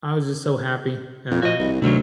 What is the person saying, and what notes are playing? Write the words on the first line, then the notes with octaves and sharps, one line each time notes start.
I was just so happy. Uh,
F2
F3 F#4 D#5
C2
D2 C3 D#3 F#3